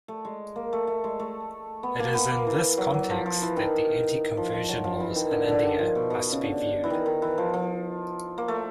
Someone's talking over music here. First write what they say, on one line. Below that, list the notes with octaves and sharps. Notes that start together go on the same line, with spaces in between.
It is in this context that the anti-conversion laws in India must be viewed.
A3
G#3
A#3
A3
A3
G#3
A3
B3
A#3
B3
A#3
E3
F#3
F#3
F3
F3
E3
D#3
F3
F3
F#3
F3
E3
D#3
D3
D3
D#3
F3
B2
B2
C#3
D3
E3
D#3
D#3
E3
F3
F3
A#3
A3